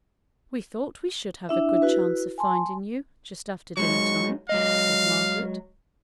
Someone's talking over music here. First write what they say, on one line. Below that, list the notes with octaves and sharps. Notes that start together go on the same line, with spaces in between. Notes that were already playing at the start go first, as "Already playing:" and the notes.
'We thought we should have a good chance of finding you, just after dinner-time,' said Margaret.
D4 E4 E5
E4 F#4 B4
G#5 A5 C6
F#3 G#3 D#4 C#6
F#3 G#3 D#5 F5